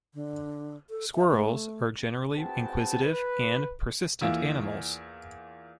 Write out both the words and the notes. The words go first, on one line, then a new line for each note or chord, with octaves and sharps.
Squirrels are generally inquisitive and persistent animals.
D3
A4
E5
A3
C4 F#4 G#4 B4 G5 A5
B4
E2 A#3 E4 F4